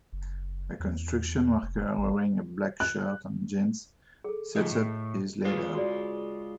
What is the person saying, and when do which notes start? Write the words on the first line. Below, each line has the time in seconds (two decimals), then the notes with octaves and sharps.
A construction worker wearing a black shirt and jeans, sets up his ladder.
0.13 F#1
0.80 E2
1.62 F1
1.98 A1
2.80 F#6
4.24 G#4 A4
4.56 C#3 F3 G#3 D#5
4.70 A2
5.45 G#3 F4 B4 C5
5.74 F#4 G#4 D5